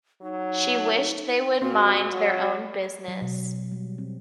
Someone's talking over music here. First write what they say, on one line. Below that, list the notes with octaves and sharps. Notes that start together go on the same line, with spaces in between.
She wished they would mind their own business.
F#3 D#4
A#2 C4 F#4
F#3
F#3
B2
G3
C4